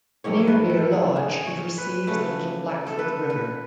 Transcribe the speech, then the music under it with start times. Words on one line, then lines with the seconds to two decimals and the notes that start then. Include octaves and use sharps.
Near Deer Lodge it receives the Little Blackfoot River.
0.24 G#2 D#3 A3 C#5
0.48 B4
0.70 A4
0.93 G#4
1.16 G#4
1.47 C#5
1.78 B4
2.07 C#3 F#3 A3 B4
2.87 A4
2.99 B4
3.30 B4